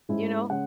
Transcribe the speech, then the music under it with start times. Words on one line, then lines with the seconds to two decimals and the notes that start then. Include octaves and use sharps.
You know?
0.09 G#2 G#3 C#4 E4
0.50 C#3 G#3 C#4 F#5